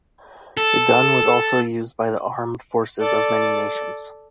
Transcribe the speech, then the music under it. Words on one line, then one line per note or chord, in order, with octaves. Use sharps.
The gun was also used by the armed forces of many nations.
A4
A4 D5